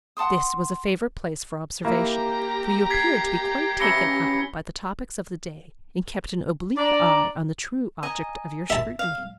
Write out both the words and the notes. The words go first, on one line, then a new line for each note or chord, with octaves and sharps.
This was a favourite place for observation, for you appeared to be quite taken up by the topics of the day, and kept an oblique eye on the true object of your scrutiny. . . .
F#5 A5 C6 D#6
A#3 E4 G4 A#5
G#6 B6 C7
C#3 E3 C#4 A#6 C#7 G7
D4 D5 A#5
D#5 G#5 A#5
E5 A5
F5